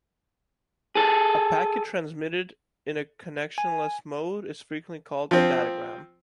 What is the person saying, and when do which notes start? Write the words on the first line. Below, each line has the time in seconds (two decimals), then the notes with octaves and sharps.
A packet transmitted in a connectionless mode is frequently called a datagram.
0.95 G#4 A4
3.58 G#5
5.31 F3 C4